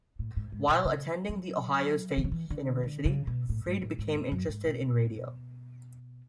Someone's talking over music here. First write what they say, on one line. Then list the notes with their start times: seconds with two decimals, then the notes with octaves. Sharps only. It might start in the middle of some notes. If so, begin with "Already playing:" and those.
While attending the Ohio State University, Freed became interested in radio.
0.19 A2
0.36 G#2
0.52 G#2
0.69 B2
0.85 C#3
1.29 F#3
2.18 E3
2.24 F#3
2.32 E3
2.50 D3
2.83 D3
3.05 C#3
3.27 B2
3.49 A2
3.66 G#2
3.82 A2
3.99 G#2
4.15 F#2
4.32 F#2
4.49 G#2
4.65 B2